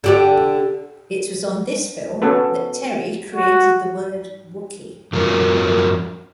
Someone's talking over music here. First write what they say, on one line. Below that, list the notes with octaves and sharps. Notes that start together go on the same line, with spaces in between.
It was on this film that Terry created the word Wookie.
D3 G4 D5
B3 C#4 F#4 A4 B4
F#4
F#2 F3 F#3 F4 A#4